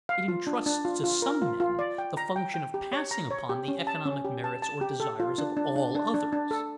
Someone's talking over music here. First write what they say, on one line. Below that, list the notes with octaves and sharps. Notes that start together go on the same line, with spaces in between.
It intrusts to some men the function of passing upon the economic merits or desires of all others.
F5
F4
D4
D4
F4
F4
A#4
F4
F4
D5
G5
A#5
G5
G5
G4
C#5
A#5
C#5
G4
C#4
A5
C#4
G4
A5
A5
G4
A4
F4
D4
D4
D4
D4
D4
D4
A4